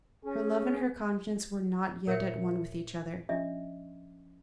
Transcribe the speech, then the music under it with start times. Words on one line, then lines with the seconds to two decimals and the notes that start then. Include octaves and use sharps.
Her love and her conscience were not yet at one with each other.
0.25 C#4 G#4
2.07 A#2 A#4 C#5 E5 C#7
3.29 F3 C#4 D4 D#5 E5